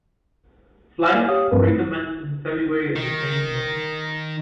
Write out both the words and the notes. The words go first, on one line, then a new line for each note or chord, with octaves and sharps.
Flights re-commenced in February of the same year.
A#3 D5 F5
G4 C#5 F5 D#6
G2 F3 A3 C4 A#4 B4
D#3